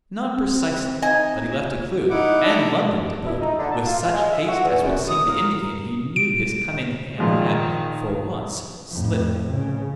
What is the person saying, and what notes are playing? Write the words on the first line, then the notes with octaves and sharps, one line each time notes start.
"Not precisely: but he left a clue--and London, to boot--with such haste as would seem to indicate he knew his cunning hand had, for once, slipped."
C4
D#4 D#5 G#5
D#4 E4 F#5 D6
D4
E4
D#4
D3
A5
F4
G#3
E5
F#4
E2
F#2
D#6
A#4
D7
A#2 D#3 F3 G#3
F2 A2
C#3